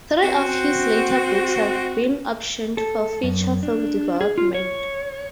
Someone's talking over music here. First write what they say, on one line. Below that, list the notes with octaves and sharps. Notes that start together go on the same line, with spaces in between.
Three of his later books have been optioned for feature film development.
C4 F#4
A4
F#2
D4
G#4
F4
C#5